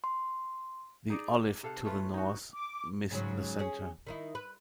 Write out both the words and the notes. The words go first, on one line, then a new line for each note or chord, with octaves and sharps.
The" Olive" to the north missed the centre.
C6
D#4 G#4 D5 D#5
C3 A4 F5 F#5
A3 C#4 F4 B4
D#4 F#4
D6
G#2 C#3 F#3
C#4 G#4
D#3 D#4 E4
B4